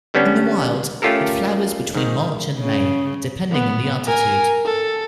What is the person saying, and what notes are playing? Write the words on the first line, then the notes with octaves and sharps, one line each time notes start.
In the wild, it flowers between March and May, depending on the altitude.
D3 G3 B3 C#4 D4
A3 C#4 F4 G4 A4 A#4
G#2 D#3
C#3
B3
A#4 G#5
A4